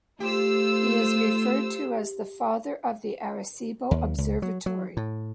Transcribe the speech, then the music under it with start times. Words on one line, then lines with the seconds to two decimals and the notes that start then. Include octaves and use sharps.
He is referred to as the "father of the Arecibo Observatory".
0.20 A3 F4 G4 C5 E6
3.91 D#2
4.18 C#2
4.42 F#3
4.66 F#3
4.97 A2